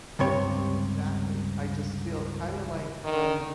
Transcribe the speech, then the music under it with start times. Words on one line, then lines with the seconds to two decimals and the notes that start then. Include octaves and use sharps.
Exactly, I just feel kinda like when,
0.19 C#2 G2 C3 C#5
3.05 D#3